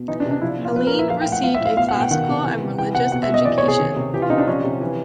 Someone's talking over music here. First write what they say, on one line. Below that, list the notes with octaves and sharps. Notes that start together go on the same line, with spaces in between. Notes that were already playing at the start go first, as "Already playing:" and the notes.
Heline received a classical and religious education.
Already playing: B2
E3 D#4
D4
C3
D4
F3 E4
A#2
F4
F3 B4
A#4
A#2
E5
F3 F5
G5
A2
F#5
F3 F5
E5
A2 F5
B2 F5
F#5
B2
G5
D#3 F#5
C3
E3
C3
E3 G5
C3 F#5
B2 F#5
E5
B2 D#5
E3 D5
C#5
C3
G#4
D#3
C3
E3 G4
F4
C3 D#4
D4
F3 C#4
C3
E3